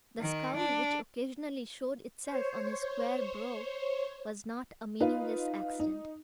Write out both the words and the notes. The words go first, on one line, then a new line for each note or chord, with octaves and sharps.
The scowl which occasionally showed itself on his square brow was not a meaningless accident.
D#3
D4
C5 C#5
D#4 F4 B4
D#4